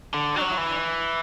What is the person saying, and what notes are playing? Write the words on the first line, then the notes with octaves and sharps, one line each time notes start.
Oh, okay.
D3
F#3
E3